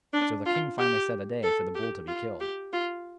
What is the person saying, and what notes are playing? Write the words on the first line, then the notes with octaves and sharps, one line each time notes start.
So the king finally set a day for the bull to be killed.
D4
F4
G4
A4
G4
F4
G4
F4